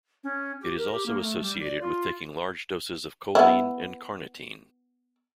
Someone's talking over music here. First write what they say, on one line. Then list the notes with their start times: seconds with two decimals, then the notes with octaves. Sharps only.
It is also associated with taking large doses of choline and carnitine.
0.24 C#4
0.61 G4
0.78 A#4
0.92 G4
1.06 A#3
1.21 A3
1.41 G3
1.59 D5
1.80 F4
3.35 B3 E4